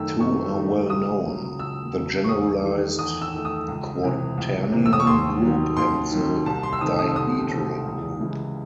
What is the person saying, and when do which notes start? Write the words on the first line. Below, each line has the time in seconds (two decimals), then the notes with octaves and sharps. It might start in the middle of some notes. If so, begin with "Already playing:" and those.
Two are well known, the generalized quaternion group and the dihedral group.
Already playing: F#2 D#3 A3 E6
0.20 F#2 C#6
0.55 D#3 A3
0.90 C#2 D#6
1.24 C#3 F#3
1.59 C#2 E6
1.94 C#3 F#3
2.24 C#6
2.29 E2 D#6
2.63 D#3 A3
2.99 E2 D#6
3.22 E6
3.33 D#3 A3
3.45 D#6
3.68 C#2
4.03 C3 E3
4.38 C#2
4.72 C3 E3
4.86 E6
4.93 D#6
5.00 C#6
5.07 D#2 C6
5.42 D#3 F#3
5.77 D#2 C6
6.11 D#3 F#3
6.46 C2 A5
6.63 C6
6.73 E6
6.81 C3 D#3 A3 D#6
6.99 D#6
7.16 C2 D#6
7.50 C3 D#3 A3
7.85 C#2
8.20 C#3 E3 G#3